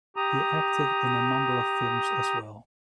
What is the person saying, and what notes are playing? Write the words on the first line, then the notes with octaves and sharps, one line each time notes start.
He acted in a number of films as well.
G4 A#5 D#6